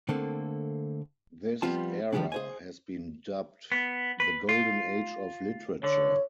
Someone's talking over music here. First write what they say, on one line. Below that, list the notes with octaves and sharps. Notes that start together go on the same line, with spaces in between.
This era has been dubbed the "Golden Age of Literature".
D3 A3 A#3 C4
F3 G3 B3 C4 F4 A5
D#3 F3 G3 G#3 C#4 D4
G#4 C5 G#5
B3
B4
F4
D3 C#5